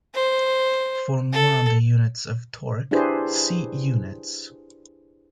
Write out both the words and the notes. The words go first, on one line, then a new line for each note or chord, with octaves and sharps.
For more on the units of torque, see Units.
C5
A4
D4 E4 G4 G#4 B4 C5